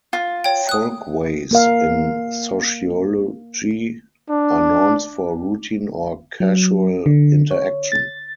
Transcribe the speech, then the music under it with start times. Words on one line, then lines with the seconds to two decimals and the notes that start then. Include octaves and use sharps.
Folkways, in sociology, are norms for routine or casual interaction.
0.13 F4
0.44 C#5 G5
0.69 D#6 F#6
1.51 A#3 A#4 F5
4.29 D4
6.40 F#3
7.06 D3
7.51 C#5
7.92 A6